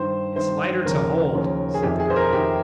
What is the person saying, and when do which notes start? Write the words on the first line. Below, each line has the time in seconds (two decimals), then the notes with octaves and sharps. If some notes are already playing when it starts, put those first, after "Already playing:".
"It's lighter to hold," said the Gardener.
Already playing: G2 D#3 C5
0.36 G2 D#3 C5
0.85 D#2 C#3 F3 A#4
1.34 D#2 C#3 F3
1.74 G#4
1.83 F2 C3 D#3 G4
2.00 G#4
2.10 C5
2.16 A#4
2.32 F2 C3 D#3 G4